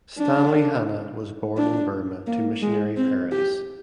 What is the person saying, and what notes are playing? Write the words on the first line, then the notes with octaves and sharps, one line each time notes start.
Stanley Hanna was born in Burma to missionary parents.
D4
D4
A#3
G#3
C4
G4